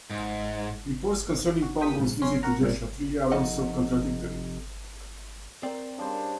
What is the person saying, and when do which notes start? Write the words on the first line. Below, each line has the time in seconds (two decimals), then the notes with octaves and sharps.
Reports concerning Pombo's visit to Joshua Tree are also contradictory.
0.10 G#2
1.62 F#4
1.80 A#3 G4 G5 D#6 B6
1.99 A#1 G#2
2.22 F#2 C#3 C#4 C6 C7
2.43 F#4 A#4 F#5 A#5
2.59 C2 G2 A#2
3.32 C3 F3 D#4 A4 D#5 F#5
5.63 C4 A#4 D5 G5
5.98 C#3 G3 D4 C5